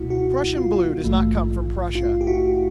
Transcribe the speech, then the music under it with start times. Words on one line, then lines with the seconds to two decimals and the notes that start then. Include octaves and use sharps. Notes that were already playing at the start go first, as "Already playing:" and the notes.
Prussian blue does not come from Prussia.
Already playing: C#2 B2 G3 A#3 E4 F#4
0.10 E4 F#4
0.57 F4
1.03 A#1 G#2 E3 A3
1.95 F4
2.21 G4
2.27 E4 F#4